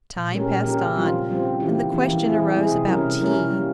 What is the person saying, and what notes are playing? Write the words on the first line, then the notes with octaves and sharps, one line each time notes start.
Time passed on, and the question arose about tea.
A#2
G#3 C#4 G4 A#4
A#2
G#3 C#4 G4 A#4
C#3
G3 C4 F4
C#3
G3 C4 F4
C#3
E3 A#3 E4 G4
C#3
E3 A#3 E4 G4
E3
G#3 C4 E4 G#4
E3
G#3 C4 E4 G#4
C3
G3 C#4 E4 A#4
C3
G3 C#4 E4 A#4
C3
G3 A#3